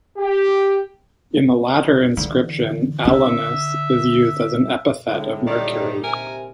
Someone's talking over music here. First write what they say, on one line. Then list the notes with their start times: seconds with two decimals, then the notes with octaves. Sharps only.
In the latter inscription, Alaunus is used as an epithet of Mercury.
0.17 G4
2.17 D3 E3
3.05 D3 E5
5.07 A2 D3 G#3
5.47 A#2 D#3 G3 D#4 D5
6.04 C3 A#4 G#5